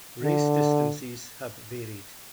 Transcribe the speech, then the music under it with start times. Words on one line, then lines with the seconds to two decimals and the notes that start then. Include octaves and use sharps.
Race distances have varied.
0.23 D3